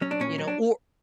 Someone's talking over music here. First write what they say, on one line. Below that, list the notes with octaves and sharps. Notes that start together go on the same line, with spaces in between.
you know or
F#3 C#4
D4
A#2 C#4
F#3
D4